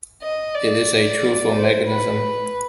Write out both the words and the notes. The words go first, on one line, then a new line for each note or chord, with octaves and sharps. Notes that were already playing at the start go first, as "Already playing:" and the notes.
It is a truthful mechanism.
D#5
D5
C5
B4